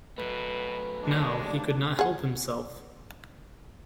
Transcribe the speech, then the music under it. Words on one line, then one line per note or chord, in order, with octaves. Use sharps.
Now he could not help himself.
B2 F#3 A3 B4
D#2 G#3 D4
G#4 F#5